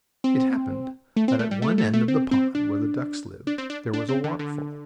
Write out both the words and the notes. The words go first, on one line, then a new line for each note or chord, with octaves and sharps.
It happened that at one end of the pond where the ducks lived there was a waterfall.
C4
A3
C4
A3
G3
A3
A3
A3
C4
C4
D4
D4
C4
D4
D4
C4
D3
D3